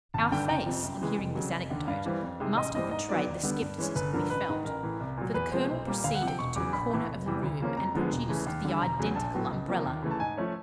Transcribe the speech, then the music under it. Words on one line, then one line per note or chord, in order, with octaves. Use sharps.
Our face, on hearing this anecdote, must have betrayed the scepticism we felt, for the Colonel proceeded to a corner of the room, and produced the identical Umbrella.
G#1 A5
G2 D3 G5
F#1 G5
F2 C3 F3
F#2
C#3 E3 G#3
F1
F2 C#3 F#3
F1
D#2 D3
G2 F5
E3 G3 C4
F2
C3 D#3 G#3
A1 D#5
G2 E3 G3 C4 D#5
G#2 D#5
D#3 F#3 B3 D5
D#2
D3 G3 B3
G2
E3 G#3 C#4
G1 B4
G2 D3 F3 A#4
A1 B4
G#2 D#3
A1 A#4
A2 E3
C2
A#2 F#3
E2 B4
C3 F3 G#3 B3 C5
B1
A#2 G3 A#3
D2 F5
F#5
C3 F3
G5
E1 C#6
E2 C#3 F#3 D6
A#1 B5
A2 E3 A3
F1
E2 C3 E3 G3
D2
C#3 F3 A#3 C#4
F2 A#5
D3 F3 G#3 B3
E1
E2 C#3 E3 A3
D#2
D3 G3
E1 A#5
E2 C#3 F#3
A#1 A5
A2 F#3 B3
C#2
C3 F3 A#3
D#2
C#3 E3 A3
A5
G#2 G#5
F3 A3 C#4